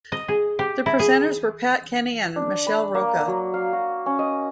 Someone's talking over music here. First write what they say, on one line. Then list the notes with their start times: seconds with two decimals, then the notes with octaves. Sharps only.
The presenters were Pat Kenny and Michelle Rocca.
0.12 D#5
0.28 G#4
0.59 G4
0.86 E4
0.99 G#4
2.36 D4
2.67 B5
2.95 A#3
3.28 F#3
3.54 F5
3.73 F#4
4.06 C#4
4.19 D#5